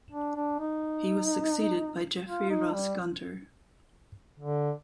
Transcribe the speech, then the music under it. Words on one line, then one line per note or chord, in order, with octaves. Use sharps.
He was succeeded by Jeffrey Ross Gunter.
D4
D4
D#4
F4
D#4
G3
D3